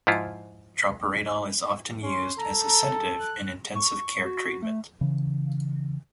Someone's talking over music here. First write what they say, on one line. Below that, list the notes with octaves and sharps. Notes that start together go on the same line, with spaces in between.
Droperidol is also often used as a sedative in intensive-care treatment.
G#2 F3 E4 F4
C#4 C6
A4 A#5
F#6
C#6
F#4
A3
C#3 E3